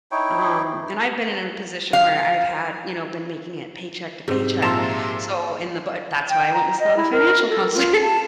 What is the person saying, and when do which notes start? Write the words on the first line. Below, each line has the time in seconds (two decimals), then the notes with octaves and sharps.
um, and I've been in a position where I've had, you know, been making it paycheck to paycheck, so in the bu that's why I went and saw the financial counselor.
0.12 D#4 E4 C#5 G5
1.93 F5
4.28 G#2 C3 C4
4.62 A#2 F3 E5 A5 A#5 C6 E6
6.30 G5
6.54 A#5
6.79 D#5
6.97 E4
7.12 A#4
7.50 A4
7.74 F4
8.02 A5